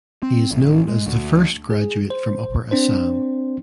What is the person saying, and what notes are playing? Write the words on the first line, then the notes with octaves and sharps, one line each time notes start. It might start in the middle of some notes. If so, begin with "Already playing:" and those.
He is known as the first graduate from upper Assam.
C4
A1
G#3
D2
G#4
C5
C4 D4 C5